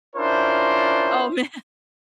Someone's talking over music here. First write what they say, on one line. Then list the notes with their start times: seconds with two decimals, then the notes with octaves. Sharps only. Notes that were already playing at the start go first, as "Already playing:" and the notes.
Oh, man.
0.16 C#4 D4 E4 F4 A#4 C5